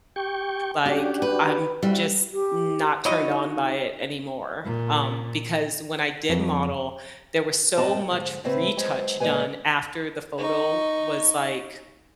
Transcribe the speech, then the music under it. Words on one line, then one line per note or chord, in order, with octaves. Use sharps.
like, I'm just not turned on by it anymore, um, because when I did model, there was so much retouch done after the photo was, like,
G4 G5 C#6
C#4 D4 F#4 G4
B4
G3 C4 E4 F#4
G4
F#3 D#4 E4 F#4 C#5 D#5
A#2
F2
F#2 A2 C4 G4 D#5 A5
G#2 D3
A2 C#3 A3 C4 B4
F#3 G#3 C5
A#2 G3 G#3 B4 G#5
D#4 C#6